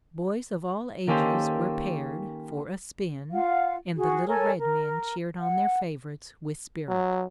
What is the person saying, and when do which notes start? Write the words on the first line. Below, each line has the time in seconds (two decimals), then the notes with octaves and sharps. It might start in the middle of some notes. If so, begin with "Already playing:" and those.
Boys of all ages were paired for a "spin," and the little red men cheered on their favorites with spirit.
1.08 D#3 A#3 C#4 G4 A4 C5
3.31 F4 F5 F#5
3.95 F#4 G#4
4.27 A4 A#4 C#5 G#5
4.58 A#4
5.38 F#5
6.88 F#3